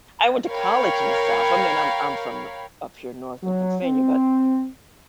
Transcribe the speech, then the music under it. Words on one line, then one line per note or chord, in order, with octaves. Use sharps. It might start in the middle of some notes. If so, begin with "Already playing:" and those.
I went to college in the South. I mean, I'm I'm from n up here North in Pennsylvania, but,
A#4 C#5 F5 G5 B5
F#3
C4